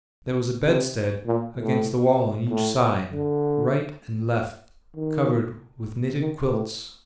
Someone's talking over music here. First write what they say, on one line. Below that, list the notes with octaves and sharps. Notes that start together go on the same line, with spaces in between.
There was a bedstead against the wall on each side, right and left, covered with knitted quilts.
C3
A#2
A2
A2
D3
D#3
D#3
A2